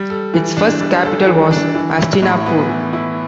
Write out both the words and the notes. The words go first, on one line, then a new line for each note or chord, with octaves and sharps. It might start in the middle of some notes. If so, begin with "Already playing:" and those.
Its first capital was Hastinapur.
Already playing: G3
A4
E3
D4
G3
A4
E3
D4
E3
E4
A2
B3
E3
E4